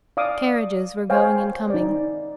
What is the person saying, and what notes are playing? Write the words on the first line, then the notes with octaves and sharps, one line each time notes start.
Carriages were going and coming.
D5 F5 D6 D#6
C5 C#5 F5 G5 G#5
D#4 D5